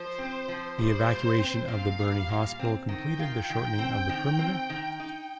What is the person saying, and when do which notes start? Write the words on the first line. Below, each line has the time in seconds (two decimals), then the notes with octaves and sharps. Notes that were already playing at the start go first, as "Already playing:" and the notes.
The evacuation of the burning hospital completed the shortening of the perimeter.
Already playing: F3 C5
0.18 C4
0.48 F3
0.78 G3 C5
1.08 A#2
1.38 C4
1.68 A#2 F5
1.99 G3
2.29 A#2
2.59 C4
2.89 D#3
3.04 G5
3.19 F4
3.50 D#3
3.79 C4
4.09 D#3
4.39 C4
4.70 D#3
5.00 D#4